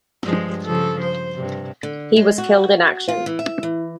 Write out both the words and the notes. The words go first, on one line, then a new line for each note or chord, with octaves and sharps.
He was killed in action.
G2 F3 G#3
C#3 F3 A4
C5
G2 C3
D3
G#3
F#4
F4
E3
E5
E3